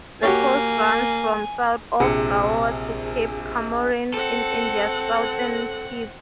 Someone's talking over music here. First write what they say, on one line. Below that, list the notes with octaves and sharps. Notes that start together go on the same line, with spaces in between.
The coast runs from south of Goa to Cape Comorin on India's southern tip.
A#3 F#4 G4 C#5 G#5
A#1 C3 G#4 C#7
C4 A4 F#5